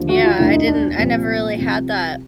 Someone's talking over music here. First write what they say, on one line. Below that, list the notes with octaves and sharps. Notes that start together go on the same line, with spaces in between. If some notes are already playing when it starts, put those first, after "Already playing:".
yeah, I didn't I never really had that.
Already playing: D#2 D3 F3
F#4
F4
E1 D2 D3 E4
D#4
D4
C2 A#2 F3
C2 C3 F3